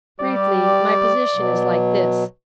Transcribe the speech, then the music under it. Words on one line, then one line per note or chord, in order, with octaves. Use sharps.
Briefly, my position is like this.
G3 G4 D5
B2 F#3